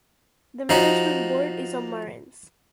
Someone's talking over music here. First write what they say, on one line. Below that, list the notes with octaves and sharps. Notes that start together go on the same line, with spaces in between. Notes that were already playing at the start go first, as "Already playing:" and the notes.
The management board is in Marennes.
F3 D#4 F#4